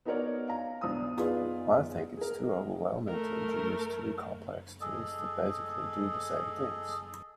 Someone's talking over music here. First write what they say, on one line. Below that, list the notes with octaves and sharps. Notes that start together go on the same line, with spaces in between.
I think it’s too overwhelming to introduce two complex tools that basically do the same things.
B3 D#4 F#4 A#4 C#5 D5
F5 A#5
B1 D4 D#6
B3 D#4 F4 G#4 B4 D5
G#4 A#4
A3 A#4
G#4 A4 D#5